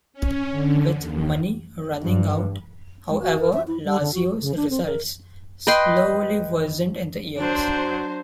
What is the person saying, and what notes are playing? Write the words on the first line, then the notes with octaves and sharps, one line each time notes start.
With money running out, however, Lazio's results slowly worsened in the years.
C#4
D3
D#2
G2
G#3
F#4
A#4
E5
E4
G3
D3
F#4
C#3
D4
C4
A#4
B4 D#5 G5 C6
F#3 D4 C5